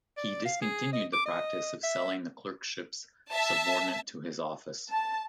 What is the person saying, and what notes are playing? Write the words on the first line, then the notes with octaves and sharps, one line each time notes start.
He discontinued the practice of selling the clerkships subordinate to his office.
D5
F5
G#4
D#5
D6
D#5
E5
E5 A5
A5